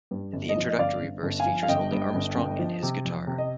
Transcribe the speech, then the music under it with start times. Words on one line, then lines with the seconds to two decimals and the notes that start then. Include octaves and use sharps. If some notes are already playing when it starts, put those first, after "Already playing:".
The introductory verse features only Armstrong and his guitar.
0.11 G2
0.33 G1
0.49 D#5
0.56 F3
0.69 D#5
0.78 G1 D5 F5
1.02 G1
1.23 G1
1.39 F5 G#5
1.46 F3
1.63 F5
1.68 G1 D#5 G5
1.92 G2
2.15 G1
2.36 G1
2.59 F3
2.83 C3
3.05 F2
3.27 C3
3.38 D#5